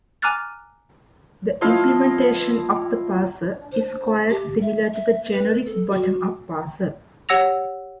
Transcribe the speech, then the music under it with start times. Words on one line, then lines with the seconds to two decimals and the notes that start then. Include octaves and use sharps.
The implementation of the parser is quite similar to the generic bottom-up parser.
0.22 G#5 A#5 D6 F6 F#6 A6
1.61 F3 E4 D#5 F5
3.72 C5
4.30 G4
4.62 E5
4.93 E5
5.32 B4
5.66 A4
5.91 F#4
7.29 G4 C#5 F#5 E6 A#6 F7